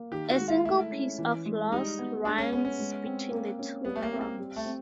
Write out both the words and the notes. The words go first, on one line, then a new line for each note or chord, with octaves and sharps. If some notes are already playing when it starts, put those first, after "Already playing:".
A single piece of floss runs between the two prongs.
Already playing: A#3
D#3 G4
F#4
G#3
F4
A3 E4
C#4
E3
G#3
G3 D#4
B3
G#3 D4
C#4
B3 C#4
C#4
G#3
C4
A#3
C#4
G3 B3
A3
A#3
C4
A#3
G3
A3
C4